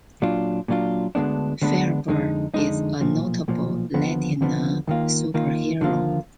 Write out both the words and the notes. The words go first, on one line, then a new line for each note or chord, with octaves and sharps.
Firebird is a notable Latina superhero.
A#2 F#3 D4 F4
A#2 F#3 D4 F4
D2 D3 G#3 B3 D4
D2 D3 G#3 B3 D4
F2 D3 G#3 D#4
F2 D3 G#3 D#4
B1 A#2 F3
B1 A#2 F3
D#2 D3 F3 B3
D#2 D3 F3 B3
D#2 D#3 A#3 F4
D#2 D#3 A#3 F4
D#2 D3 F3 A#3 F4